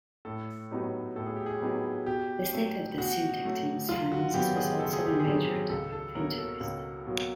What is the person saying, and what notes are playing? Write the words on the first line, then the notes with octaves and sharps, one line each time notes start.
The state of the Simtek team's finances was also a major topic of interest.
A2 A4
F#3 B3 D#4 G4
A2 A4
G#4
G4
G#4
F#3 B3 D#4 G4
B2 G4
F#3 A3
B2 F#4
F#3 A3
F#1 F4
F#4
F#2 D#3 F#3 B3 G4
G#4
F#1 A4
G#4
G4
G#4
F#2 D#3 F#3 B3
C#2 A4
A4
B2 F#3 A#3 A#4
A4
C#2
B2 F#3 A#3